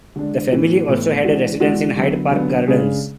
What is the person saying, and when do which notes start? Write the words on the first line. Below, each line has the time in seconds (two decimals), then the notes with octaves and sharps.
The family also had a residence in Hyde Park Gardens.
0.16 D3 G#3 D4
0.52 A2 E3 B3
0.88 A2 E3 B3
1.24 E3 G#3 D4 F#4
1.60 E3 G#3 D4 F#4
1.96 D3 F#3 B3
2.31 D3 F#3 B3
2.67 C#3 G#3 D4 G#4